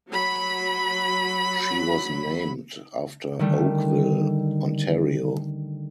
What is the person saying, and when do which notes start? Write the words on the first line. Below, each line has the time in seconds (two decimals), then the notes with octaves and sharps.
She was named after Oakville, Ontario.
0.10 F#3 B5
3.39 D3 D#3 G3 A3